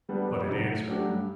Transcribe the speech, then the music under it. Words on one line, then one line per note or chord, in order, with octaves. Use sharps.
But it answered.
D3 G3 B3 D4
F2
C3 D#3 F#3
A2
F#3 A3 D4 G4
G2